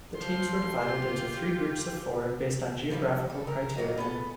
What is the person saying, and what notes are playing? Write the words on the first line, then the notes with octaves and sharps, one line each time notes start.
The teams were divided into three groups of four based on geographical criteria.
F3 C6
F4 G4
F2 C#3 F3 G3 A3
A4
A#4
D#3 F#3 A#3 D#5
B3 G#4 A4